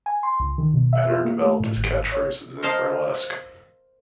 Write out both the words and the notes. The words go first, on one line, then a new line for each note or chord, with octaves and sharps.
Penner developed his catch phrases in burlesque.
G#5
C6
C#2
D#3
B2
E5
F4
A#3
A3
A2
G#1
C#5
A#4 C5 D#5 F5 A5